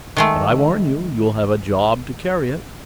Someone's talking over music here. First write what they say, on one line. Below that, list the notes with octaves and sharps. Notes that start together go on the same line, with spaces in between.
"But I warn you, you'll have a job to carry it."
D#3 G#3 A3